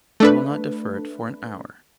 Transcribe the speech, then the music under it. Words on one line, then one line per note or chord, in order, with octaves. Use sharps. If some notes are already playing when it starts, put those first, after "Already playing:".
I will not defer it for an hour.'
A3 D4 B4